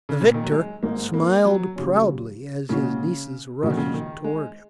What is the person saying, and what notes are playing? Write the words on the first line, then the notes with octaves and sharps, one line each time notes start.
The victor smiled proudly as his nieces rushed toward him.
C#3
A#2
D#3
F#3
G#3
G#1 G#2 G#3 A#3 D#4
A#3
F#3
D#2 C#3 F#3 C#4
A#2 C#3 G#3 C#4 F#4
A#1 A#2 C#3 G#3 F#4
D#3
C#3
D#3
G#3